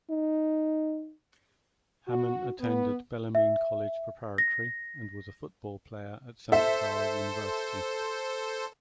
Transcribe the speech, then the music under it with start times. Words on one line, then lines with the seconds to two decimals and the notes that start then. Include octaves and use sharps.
Hamann attended Bellarmine College Preparatory and was a football player at Santa Clara University.
0.10 D#4
2.06 F#4
2.60 B3
3.35 E5
4.38 A#6
6.52 A4 C5 E5